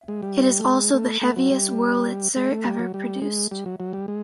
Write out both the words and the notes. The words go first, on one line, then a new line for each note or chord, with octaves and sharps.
It is also the heaviest Wurlitzer ever produced.
G#3
G3
A3
G#3
A3
A3
F#3
G3
G#3
A3
G3
F#3
G3
G#3
G3
F#3
F#3
G3
G#3